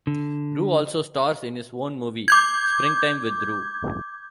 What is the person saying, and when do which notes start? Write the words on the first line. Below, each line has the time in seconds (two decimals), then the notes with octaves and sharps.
Roo also stars in his own movie, "Springtime with Roo".
0.07 D3
2.28 D6 G6 G#6